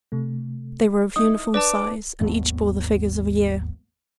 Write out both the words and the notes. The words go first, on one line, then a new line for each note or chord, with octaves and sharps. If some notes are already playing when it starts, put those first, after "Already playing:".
They were of uniform size and each bore the figures of a year.
C3 A3
D#4 E4 D#6
D4 B4 D5 A5 D6
G#1 D#2 F#3 B3